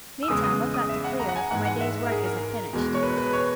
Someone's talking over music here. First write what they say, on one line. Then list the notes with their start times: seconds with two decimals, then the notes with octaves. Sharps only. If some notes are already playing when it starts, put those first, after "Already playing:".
Meantime, I've got to clear, for my day's work isn't finished.
0.23 E6
0.28 E2 C#3 E3 G#3 D#6
0.44 D#6
0.74 D#6
0.89 E5
1.04 F#5
1.20 A#5
1.29 F#5
1.36 G#5
1.51 G#2 E3 G#3 F#5
1.65 F#5
1.81 E5
2.06 A#4
2.12 G#4
2.26 A#4
2.73 E2 B2 G#3
2.94 C#5
3.03 B4
3.18 B4
3.33 C#5